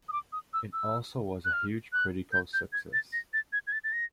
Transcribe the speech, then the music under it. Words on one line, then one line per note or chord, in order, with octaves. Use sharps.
It also was a huge critical success.
D#6
D6
D#6
E6
E6
F#6
F6
F#6
G6
G6
G#6
A6
A#6
A6
G#6
G#6
A6
A6
A#6